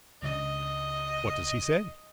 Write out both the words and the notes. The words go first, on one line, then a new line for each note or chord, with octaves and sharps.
"What does he say?"
C#2 C#3 D4 D#5